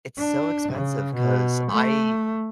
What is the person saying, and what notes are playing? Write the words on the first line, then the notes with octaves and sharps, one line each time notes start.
it's so expensive 'cause I
D4
C#3
B2
A3